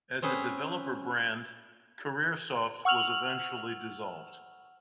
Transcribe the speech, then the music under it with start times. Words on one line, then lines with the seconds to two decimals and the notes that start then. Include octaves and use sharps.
As a developer brand, Career Soft was eventually dissolved.
0.22 C4 C#4 G#4 B4 C5
2.85 F#5 C#6 E6 F6 F7 F#7